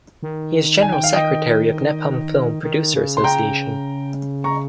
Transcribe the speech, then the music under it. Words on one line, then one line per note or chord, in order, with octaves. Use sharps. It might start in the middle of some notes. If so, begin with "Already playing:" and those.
He is General Secretary of Nepal Film Producer Association.
D#3
G#5
G5
F5
D#5 G5
D#3
C#3
C3 C6
C#3 G5 A#5
A#5 C#6